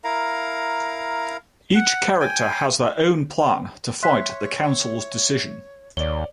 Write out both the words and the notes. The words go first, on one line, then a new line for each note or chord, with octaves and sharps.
Each character has their own plan to fight the council's decision.
E4 A#4 F5 A#5
F#5
G5 G#5
C#5 E5 C6 F#6 B6
D#2 C#5 D5 G7